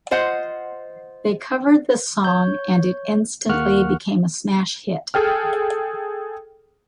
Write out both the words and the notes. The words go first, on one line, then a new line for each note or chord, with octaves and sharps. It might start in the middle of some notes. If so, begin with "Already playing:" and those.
They covered the song and it instantly became a smash hit.
F4 C5 D#5 F#5
C#5 G6
D#2 A#3 F#5 C#6 F6 F#6
G#4 A4 G5 F6